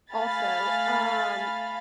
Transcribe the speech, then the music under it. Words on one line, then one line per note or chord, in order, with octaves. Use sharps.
Also, um,
A3 F5 G#5 B5 A6